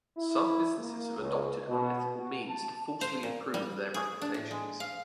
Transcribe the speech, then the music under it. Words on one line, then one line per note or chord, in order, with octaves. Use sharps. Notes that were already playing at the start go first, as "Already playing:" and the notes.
Some businesses have adopted unethical means to falsely improve their reputations.
E4
A#3
C#2
B2
F#4
A5
C5
A#2
G3
G#4
D4
A2
G#3
F5